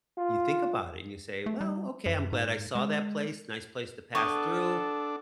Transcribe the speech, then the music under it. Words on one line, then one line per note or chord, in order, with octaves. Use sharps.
you think about it, and you say, "Well, okay, I'm glad I saw that place, nice place to pass through,
F4
A3
G3
F#2
G#2
G#3
B3 D4 A4 C#6